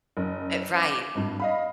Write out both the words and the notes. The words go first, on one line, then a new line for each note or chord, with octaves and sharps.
Uh, right.
F#1
D6
G#1 G2
D#5 F5 B5